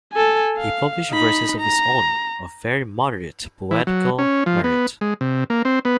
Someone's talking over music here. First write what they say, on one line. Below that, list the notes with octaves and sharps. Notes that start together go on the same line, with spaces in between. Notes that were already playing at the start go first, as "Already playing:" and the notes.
He published verses of his own of very moderate poetical merit.
A4 G#5
F5
D#4 B5
A#5
E3
F#3
C#4
F3
B3
G#3
C3
A#3
C4
B3